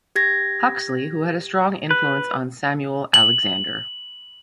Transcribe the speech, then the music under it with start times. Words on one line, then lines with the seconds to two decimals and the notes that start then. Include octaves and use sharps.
Huxley, who had a strong influence on Samuel Alexander.
0.16 G4 G#6 A#6
1.91 B4
3.14 F#7